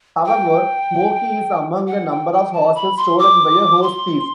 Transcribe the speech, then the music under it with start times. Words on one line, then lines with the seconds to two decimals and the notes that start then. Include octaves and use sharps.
However, Smoky is among a number of horses stolen by a horse thief.
0.26 G5
1.88 F#5
2.10 G5
2.32 G5
2.53 A5
2.75 B5
2.97 C6
3.19 D6
3.83 C6